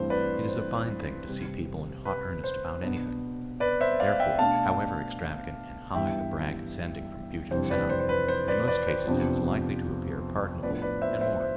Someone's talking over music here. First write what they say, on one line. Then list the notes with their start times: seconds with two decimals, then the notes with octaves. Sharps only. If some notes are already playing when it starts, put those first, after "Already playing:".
It is a fine thing to see people in hot earnest about anything; therefore, however extravagant and high the brag ascending from Puget Sound, in most cases it is likely to appear pardonable and more.
Already playing: G2 E3 A3 C4 C5
0.10 B4 D5
0.49 C5
1.26 C3 G3 C4
2.05 B4
2.44 C5
2.82 B2 B3 D4
3.60 B4 D5
3.81 C5 E5
4.00 D5 F5
4.20 E5 G5
4.39 B2 A3 D4 F5 A5
5.94 G2 E3 G3 B3 D4 E5 G5
7.51 F2 C3 E3 G3 D4 C5
7.70 B4 D5
7.90 C5
8.00 C5
8.09 B4
8.28 C5
8.48 B4 D5
8.67 B4 D5
8.87 C5
9.07 F2 C3 F3 B3 D4
10.63 A2 F3 B3 D4 B4 D5
10.82 B4 D5
11.01 C5 E5
11.21 C5 E5
11.41 C5